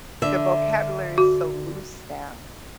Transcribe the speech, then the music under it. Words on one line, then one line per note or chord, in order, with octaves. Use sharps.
the vocabulary is so loose now.
D3 E5
F#4